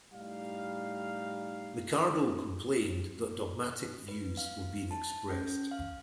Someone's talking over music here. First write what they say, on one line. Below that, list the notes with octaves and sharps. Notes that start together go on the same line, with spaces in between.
Mikardo complained that dogmatic views were being expressed.
A2 G3 D#4 F5
B4
F5
A5
C#4
F5